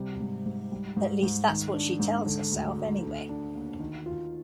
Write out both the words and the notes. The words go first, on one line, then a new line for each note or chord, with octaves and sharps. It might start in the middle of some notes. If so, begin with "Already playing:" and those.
At least that's what she tells herself anyway.
Already playing: C3 G3
G#2
G#2
G3
G#2
G#2
D#3
D4
G#2
D3
D2
D2
D3
D4
D#2
D#3
F4